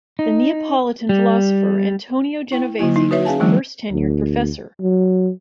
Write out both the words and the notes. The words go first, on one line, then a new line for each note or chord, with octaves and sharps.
The Neapolitan philosopher Antonio Genovesi was the first tenured professor.
D#4
G3
E4 G5
D3 F#3 A#3 E4
D#4
F#4 B4 C#5 E5
C#4 G#4 F5 G#5 A5
D#3 F3 G3 A3 C4 E4
D2
F#3